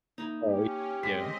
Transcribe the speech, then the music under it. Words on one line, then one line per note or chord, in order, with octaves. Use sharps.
Right, yeah.
A#3 D#4 E4
C#4 G4
G#3 C4 D#5 B6